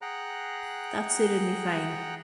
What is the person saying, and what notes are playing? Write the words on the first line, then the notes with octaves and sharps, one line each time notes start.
That suited me fine.
G#4 F#5 G5 A#5 F#6